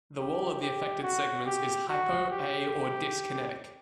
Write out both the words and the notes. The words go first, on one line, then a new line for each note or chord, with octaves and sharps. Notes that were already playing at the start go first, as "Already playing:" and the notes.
The wall of the affected segments is hypo-, a-, or dyskinetic.
G4
G4
F#4
G4
F#4
G4